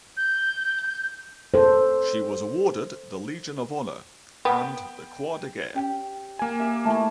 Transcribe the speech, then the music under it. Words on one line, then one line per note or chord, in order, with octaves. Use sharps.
She was awarded the Legion of Honour and the "Croix de Guerre".
G6
A4 C5
B3 G5
C#4 G4 G5
A#3 G#5
G4 E5
A3 E4